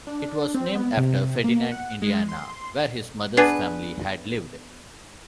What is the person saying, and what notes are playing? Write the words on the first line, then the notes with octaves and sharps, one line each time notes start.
It was named after Ferdinand, Indiana, where his mother's family had lived.
D4
C4
B3
C3
A#3
F#5
G#3
C6
B3 D4 G#4 B4